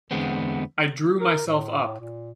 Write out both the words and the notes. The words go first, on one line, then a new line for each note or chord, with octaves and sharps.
I drew myself up.
E2 D3 G#3 B3 C4
A#4
A2
A2
A#2